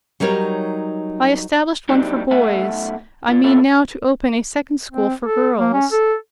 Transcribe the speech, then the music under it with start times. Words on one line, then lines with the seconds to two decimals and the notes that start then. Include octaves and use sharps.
I established one for boys: I mean now to open a second school for girls.
0.20 F#3 G3 D#4 A#4 C#5
1.89 A#2 F#3 G3 C4 D4 D#4
2.31 B1 A3 E5 F#5 G#5
3.28 A#2 F4
3.44 B3 C4 F4 A4 C#5 E5
4.92 C4
5.24 A4
5.58 A#3
5.74 C#4
5.92 A4